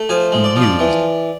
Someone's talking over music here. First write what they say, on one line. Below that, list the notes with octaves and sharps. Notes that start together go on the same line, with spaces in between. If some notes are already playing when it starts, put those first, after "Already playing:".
He mused.
Already playing: A3
F3 G#5
G#3
D5
F3
D5
E3